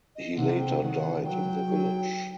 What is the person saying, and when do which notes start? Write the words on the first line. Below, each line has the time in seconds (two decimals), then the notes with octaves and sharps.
He later died in the village.
0.15 D#5
0.37 C3 F#5
0.59 G5
0.80 D#3 F#5
1.24 F#3 G5
1.68 F#3